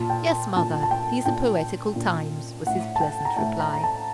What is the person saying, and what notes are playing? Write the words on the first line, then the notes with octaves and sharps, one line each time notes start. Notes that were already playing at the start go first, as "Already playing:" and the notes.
"Yes, mother, these are poetical times," was his pleasant reply.
Already playing: A#2 A5
G5
A#2 A5
A5
G5
A#2 G5
A#2
A2 F#5
A5
G5
A#5
A2 A5
A#5
A#5
A5